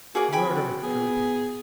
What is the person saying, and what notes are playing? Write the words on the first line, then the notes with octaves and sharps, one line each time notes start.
"Murder!" she repeated.
A#3 F#4 G#4 D5
C4 G#4 G5 G#5 B5
F#4
B3 G#4